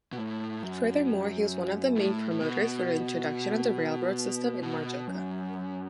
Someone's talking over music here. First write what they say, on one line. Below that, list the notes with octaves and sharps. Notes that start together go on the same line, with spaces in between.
Furthermore, he was one of the main promoters for the introduction of the railroad system in Majorca.
B2
A2
F#2
A2
A2
B2
B2
F#2